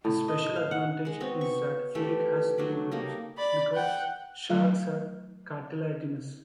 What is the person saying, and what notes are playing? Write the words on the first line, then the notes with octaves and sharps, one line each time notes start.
A special advantage is that flake has no bones, because sharks are cartilaginous.
A2
D#5
F5
F#5
G#3 F#5
B3 C4 F#4 C#5
C#6
E3 A3 G4 A4
F#3 A3 D4 B4
G3 A#3 D#4
D5 B5
F#5 G5
F#3 A3 F4